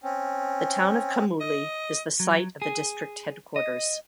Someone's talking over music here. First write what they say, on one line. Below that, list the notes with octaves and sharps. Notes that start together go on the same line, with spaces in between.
The town of Kamuli is the site of the district headquarters.
C4 C#4
D#5
F#3
G#4
D#5